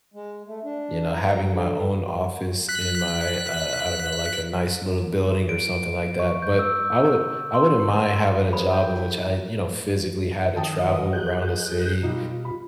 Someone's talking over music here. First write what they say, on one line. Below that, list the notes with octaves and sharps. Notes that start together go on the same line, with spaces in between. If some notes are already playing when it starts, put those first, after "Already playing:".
you know, having my own office in my, uh I don't know, like, a nice little building or something like that, but I would I wouldn't mind having a job in which I, you know, physically had to travel 'round the city,
G#3
A3
D4
A#5
D3
F#6 B6
D7
C#6
G6
E6
C6
G#3 G#4 C5 B5
G5
E4 G4 E5
D#3 G5 A5 D#6
A#4 B4 D#5
G#4 F#6 G6
B2 G3 D#4 F4
B5